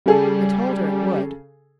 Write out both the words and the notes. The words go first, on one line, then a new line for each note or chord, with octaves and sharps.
"I told her it would."
C#3 G3 G#4 A4